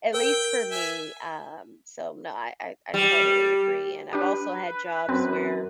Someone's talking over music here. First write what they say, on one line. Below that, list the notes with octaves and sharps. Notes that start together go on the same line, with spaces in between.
at least for me. Um, so no, I I I totally agree, and I've also had jobs where
A#4 G5
E5 G#5
G3
D4 G4 B4
F#2 C4